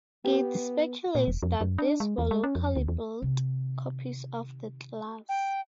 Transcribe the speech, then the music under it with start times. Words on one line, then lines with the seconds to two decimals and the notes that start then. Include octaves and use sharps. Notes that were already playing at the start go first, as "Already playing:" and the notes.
It speculates that these were locally built copies of the class.
0.25 B3 G4
1.15 A#2
1.27 E1
1.43 F2
1.61 F#2
1.78 D4
2.00 G#3
2.18 E2
2.31 G#3
2.44 C#4
2.55 F2
2.76 D2
2.88 E2
3.22 C3 D#3
5.29 G5